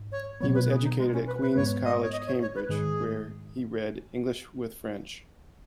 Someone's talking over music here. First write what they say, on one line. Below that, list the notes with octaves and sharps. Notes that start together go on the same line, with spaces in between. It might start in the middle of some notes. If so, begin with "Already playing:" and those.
He was educated at Queens' College, Cambridge where he read English with French.
Already playing: G#2
C#5
B2 F#3 B3 C#5
B4
G#4
D#4
G#3
C#4
B4
B4
G#2 G#3 B3 C#5
D#5
C#5
D#5
C#5
C#5
B4
G#2 D#3 G#3 G#4